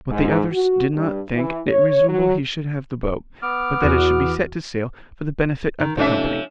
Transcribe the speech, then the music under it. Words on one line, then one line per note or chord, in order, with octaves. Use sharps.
But the others did not think it reasonable he should have the boat, but that it should be set to sale for the benefit of the company.
G#2
F#4
G2
E3
C#5
F#3
B3 D6 F6
E2 F#4
D#3
C3 F3 A3 C#4 D#4 E5